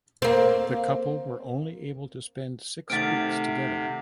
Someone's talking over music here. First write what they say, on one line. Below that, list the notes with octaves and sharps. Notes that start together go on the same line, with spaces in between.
The couple were only able to spend six weeks together.
A#3 C4
C3 D#3 A3 C4 F#5 F6 A6 D7